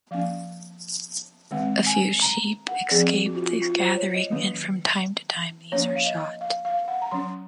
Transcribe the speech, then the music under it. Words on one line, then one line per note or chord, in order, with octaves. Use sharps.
A few sheep escape the gathering, and from time to time these are shot.
F3 A#3 C#4 F5
D#3 G#3 C4 F#5
G#5
A#5
F#5
F3 C4 G#4
F#4
F4
F#4
F4
C5
C#5
D#5
D#3 F#3 A#3 C#4
F3 A#3 C#4 C#5
F5
D#5
F5
F5
F#5
A#5
F#3 C#4 C6